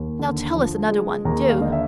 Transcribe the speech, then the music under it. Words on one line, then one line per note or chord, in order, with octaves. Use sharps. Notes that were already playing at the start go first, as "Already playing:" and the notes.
Now tell us another one, do.
Already playing: D#2
D3
F3
G#3
D#2 A#5
F5
D3 D#5
E5